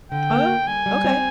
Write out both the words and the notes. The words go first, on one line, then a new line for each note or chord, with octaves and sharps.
Oh, okay.
D3 G5
A#3
D3
G3 G#5
G3
C4